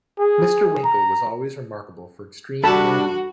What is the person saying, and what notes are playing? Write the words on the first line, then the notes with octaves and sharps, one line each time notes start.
Mr. Winkle was always remarkable for extreme humanity.
G#4
A#5
G3 D4 F#4 A4 A5 B5